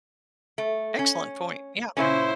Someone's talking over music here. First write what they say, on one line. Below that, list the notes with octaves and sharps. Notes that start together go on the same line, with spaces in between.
Excellent point, yeah.
A3
C#4
A#2 C#3 C#4 E4 C5